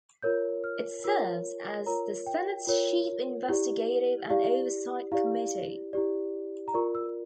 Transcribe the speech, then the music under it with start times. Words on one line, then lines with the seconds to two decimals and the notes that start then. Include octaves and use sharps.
It serves as the Senate's chief investigative and oversight committee.
0.22 F4 A#4 C#5 G6
0.64 F6
1.04 F4 A#4 C#5 E6
1.86 F4 A#4 C#5 A#5
2.26 G5
2.67 F4 A#4 C#5
3.49 E4 G4 D5
4.30 E4 G4 D5 F5
5.12 E4 G4 D5 F5
5.93 E4 G4 D5
6.68 A#5
6.74 F4 A#4 D5 C#6
6.95 E6